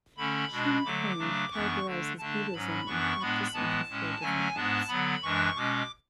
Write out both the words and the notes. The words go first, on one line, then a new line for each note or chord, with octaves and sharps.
Chin Kung categorizes Buddhism in practice into four different types.
D3 A3 C#4 B5
B2 G#3 D4
D3 F#3 A3 D6
C#3 F#3 A3 D4
F#2 E3 B3 D4 C#6
D3 A3 D4
D3 A3 D4 A5
G#2 F#3 C#4 B5
F#2 E3 B3 D4 C#6
A2 G#3 B3 D4 B5
A2 E3 G#3 B3 A5
A2 G#3 C#4
D3 F#3 A3 C#4 G#5
G#2 G#3 B3 D4 A5
D3 F#3 B3 B5
F#2 E3 G#3 D4 C#6
B2 G#3 C#4 D6